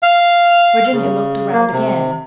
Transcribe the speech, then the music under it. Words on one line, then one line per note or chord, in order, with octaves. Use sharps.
Virginia looked around again.
F5
C#3
A#3
C3